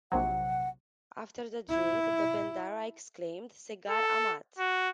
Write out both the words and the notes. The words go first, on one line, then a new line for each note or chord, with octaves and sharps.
After the drink, the Bendahara exclaimed, Segar amat!
A#1 C3 F#3 F#5
E4
A4
F#4